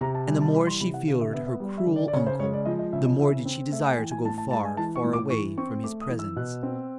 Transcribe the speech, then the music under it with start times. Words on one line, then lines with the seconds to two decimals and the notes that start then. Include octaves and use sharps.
And the more she feared her cruel uncle, the more did she desire to go far, far away from his presence.
0.01 C3 A#5
0.15 A5
0.27 G3 G#5
0.41 A5
0.54 E3 B5
0.67 C6
0.81 C3 B5
0.94 F#5
1.07 D3 F5
1.21 E5
1.33 B3 E5
1.47 E5
1.60 G3
1.78 E5
1.86 D3
1.96 D5
2.08 D5
2.13 C#3 C#5
2.27 C5
2.39 G#3 C#5
2.53 D5
2.65 F3 D#5
2.79 D#5
2.93 C#3 E5
3.06 D#5
3.19 E3 E5
3.46 C4
3.72 A3 E5
3.85 F#5
3.92 G#5
3.98 E3 G5
4.11 G#5
4.25 A2 A5
4.38 A5
4.51 G#3 A5
4.65 G#5
4.77 E3 A5
4.96 C#6
5.04 A2
5.13 D6
5.30 E3 C#6
5.58 C4 C#6
5.84 A3 D6
6.01 D#6
6.10 E3
6.19 E6
6.36 B2 F#6
6.63 C4